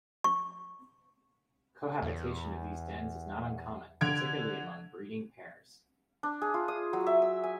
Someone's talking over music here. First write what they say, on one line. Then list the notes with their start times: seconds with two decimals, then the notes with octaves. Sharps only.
Cohabitation of these dens is not uncommon, particularly among breeding pairs.
0.24 C#6
2.02 E2
4.01 D3 G#6 D7
6.23 D4
6.42 G#4
6.54 F4
6.68 D#6
6.93 F#3
7.07 E5
7.22 E6
7.44 G#5